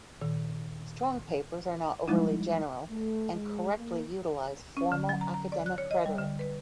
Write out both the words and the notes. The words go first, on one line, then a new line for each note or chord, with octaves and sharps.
Strong papers are not overly general and correctly utilize formal academic rhetoric.
A#2 D#3
F3 G3 G#3 D#4 E4
A3
G#3
A#3
C#4
D3
F#3
A#5
A#5
D5
F#6
C#5
D#5
G3
D3
B4